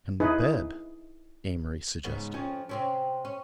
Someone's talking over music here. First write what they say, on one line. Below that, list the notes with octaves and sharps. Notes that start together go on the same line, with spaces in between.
"And the bed," Amory suggested.
D#4 E4 G#4 B4
G#2 C#3 B3
F2 F3 C#4
C3 C4 C#4
C#4